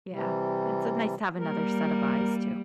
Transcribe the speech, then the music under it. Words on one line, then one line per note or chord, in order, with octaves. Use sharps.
Yeah, it's a nice to have another set of eyes, too,
C3 E3 G3
G3 A#3 A#4